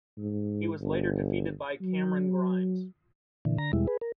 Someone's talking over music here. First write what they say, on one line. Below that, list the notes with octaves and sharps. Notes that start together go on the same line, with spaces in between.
He was later defeated by Cameron Grimes.
G#2
G1
F#3
A#2 D3 E3
D3 A#5 A#6
E2 B2 G3 G#3 E4
G#4 B4
A#4